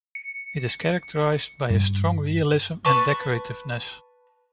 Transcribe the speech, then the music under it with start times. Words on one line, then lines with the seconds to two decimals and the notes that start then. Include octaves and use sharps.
It is characterized by a strong realism and decorativeness.
0.15 C#7
1.70 G2
2.85 B4 A5 C#6